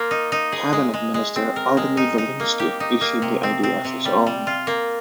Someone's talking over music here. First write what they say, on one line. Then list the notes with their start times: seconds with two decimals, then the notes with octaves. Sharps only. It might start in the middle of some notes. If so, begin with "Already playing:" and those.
Cabinet Minister Artemy Volynsky issued the idea as his own.
Already playing: A#3 F4
0.11 D#4
0.32 D#4
0.52 G#4
0.73 G#3
0.94 G#3
1.14 G#3
1.36 C4
1.56 A#4
1.77 G#3
1.97 D#4
2.18 D#4
2.40 A#3
2.60 G4
2.80 D#4
3.01 A#3
3.22 C3
3.43 C4
3.63 C4
3.85 C3
4.05 G3
4.27 G3
4.47 F4
4.67 A#3